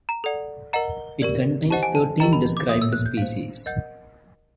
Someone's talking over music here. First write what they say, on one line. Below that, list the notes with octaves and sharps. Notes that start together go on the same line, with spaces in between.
It contains thirteen described species.
A#5
A4 D5 F#5
A#4 D#5 F#5 A#5
G4 A#4 D5
G4 C5 D#5 F#5 A5
G#5
A5
G4 A#4 D#5 G5 A#5
B5
D6
A4 C#5 E5 D#6
E6
F#6
G6
C5 F5
A#4 D#5 F#5 G6